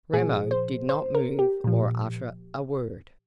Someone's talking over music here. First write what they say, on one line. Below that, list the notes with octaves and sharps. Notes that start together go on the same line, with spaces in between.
Ramo did not move or utter a word.
A#2 F3 G#4
C5
C5
A#4
G4
A#2 F3